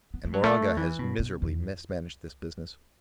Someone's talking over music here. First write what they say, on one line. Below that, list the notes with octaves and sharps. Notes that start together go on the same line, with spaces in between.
And Moraga has miserably mismanaged this business.
B3
A3
F#3
A3
E3
B2
B2
E2